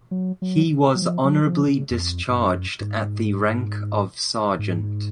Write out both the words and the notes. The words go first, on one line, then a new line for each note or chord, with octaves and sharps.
He was honorably discharged at the rank of Sergeant.
F#3
F#3
F#3
F3
F#3
F3
C#3
F2
G#2
F#2
G#2
G#2